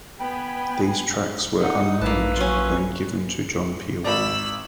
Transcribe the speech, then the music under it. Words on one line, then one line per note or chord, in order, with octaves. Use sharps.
These tracks were unnamed when given to John Peel.
B3 G5 G#5 B5
D#4 F#5
A#1 A3 A#3 D#4 E4 B4 A5
F#3 C#4 F4
G#1 D5 B5 E6